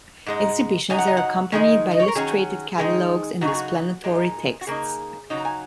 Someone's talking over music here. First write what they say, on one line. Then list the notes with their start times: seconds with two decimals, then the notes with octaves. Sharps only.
Exhibitions are accompanied by illustrated catalogues and explanatory texts.
0.26 G#2 G#3 D#4
0.90 F#2 F#3 D#4 G#5
0.98 F#5
1.07 D#5
1.17 F#5
1.52 D#3 G#3 D#4 G#4
1.91 D#5
2.00 C#5
2.08 A#4
2.15 D#3 F#3 C#4 G#4
2.78 D#3 G#3 D#4 G#4
3.41 C#3 F#3 D#4 F#4
3.48 G#4
3.55 F#4
4.04 A#2 G#3 D#4
4.61 F#4
4.67 C#3 A#3 D#4 G#4
5.30 C#3 F#3 D#4
5.37 A#5
5.45 G#5